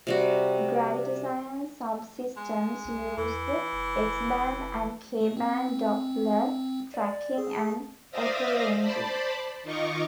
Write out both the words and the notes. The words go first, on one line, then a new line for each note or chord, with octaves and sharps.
Gravity science subsystems use the X-band and K-band Doppler tracking and autoranging.
C3 G3 F#4
G#3
C2
E2 E3
F1
A3
C4
D5
G#4
C5 D5 E5 F5 D#6 A#6
C5 D5 A5 B5
D#3 D#4 F4 D#5 C#6 D6